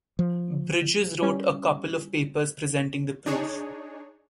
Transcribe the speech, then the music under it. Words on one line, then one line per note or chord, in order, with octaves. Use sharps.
Bridges wrote a couple of papers presenting the proof.
F3
G3 C#4
D4 D#4 G#4 C#5